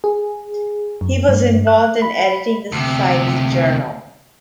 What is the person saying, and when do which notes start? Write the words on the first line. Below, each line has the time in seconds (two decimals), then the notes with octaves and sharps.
He was involved in editing the Society's journal.
0.04 G#4
1.01 F#2
1.29 G2
1.67 F#6
2.02 B5
2.72 D2 C3